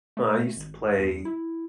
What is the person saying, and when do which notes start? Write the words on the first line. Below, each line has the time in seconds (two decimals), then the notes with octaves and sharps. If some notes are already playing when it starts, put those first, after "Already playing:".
I used to play,
0.17 A3
0.56 G#1
0.99 E2
1.25 E4